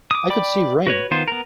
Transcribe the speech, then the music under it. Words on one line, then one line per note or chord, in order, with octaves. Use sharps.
I could see rain.
D6 D#6
D5 G5 B5 D6
F#4 B4 C#5
D#3 B3 F4 C5
B3 A#4